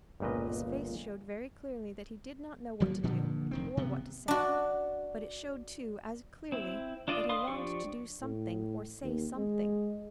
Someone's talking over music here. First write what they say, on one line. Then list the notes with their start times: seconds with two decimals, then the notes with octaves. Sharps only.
His face showed very clearly that he did not know what to do, or what to say; but it showed, too, as clearly, that he longed to do something, or say something.
0.20 G1 C#2 A#2 B4 D#5
2.80 D#1 D2 F3 F#3
3.03 G2 A#2 D3 F3
3.51 F1 D#3 C4
3.77 C3 B3
4.28 D4 F#4
6.52 C4 E4
7.08 D4 F4 D5 D#5
7.29 B4 F5 C6 D#6
7.48 F3 D4 G4 C#6
8.22 A2
9.03 D#2
9.37 G#3